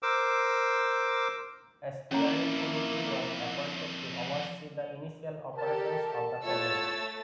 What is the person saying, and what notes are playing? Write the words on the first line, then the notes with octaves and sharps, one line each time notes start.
A steering committee was appointed to oversee the initial operations of the College.
A#4 C5 D6 E6
F2 A#3 C#4 D4 E4 C#5 A#5
G4 A4 A#4 A5
E2 A3 F4 C#5 E6 A6